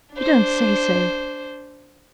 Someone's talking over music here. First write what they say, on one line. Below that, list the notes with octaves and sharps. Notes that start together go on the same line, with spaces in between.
You don't say so!
D4 C5